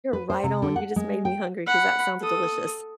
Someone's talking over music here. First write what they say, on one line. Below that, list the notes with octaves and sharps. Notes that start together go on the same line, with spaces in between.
You're right on, you just made me hungry, 'cause that sounds delicious.
B4
C5
C3
D3
F#5
G#3
G5
F#5 B5
A4 D#6